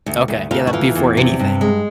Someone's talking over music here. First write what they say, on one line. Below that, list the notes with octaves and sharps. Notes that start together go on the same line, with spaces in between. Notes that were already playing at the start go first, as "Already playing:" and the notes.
Okay. Yeah, that'd be for anything.
D2
D2
D2 F4
F#4
E3 F4
E2
C3
G2
G#3